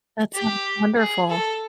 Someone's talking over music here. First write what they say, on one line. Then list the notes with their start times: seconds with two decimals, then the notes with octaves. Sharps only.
That's sounds wonderful.
0.35 G4
0.97 G#4
1.29 A4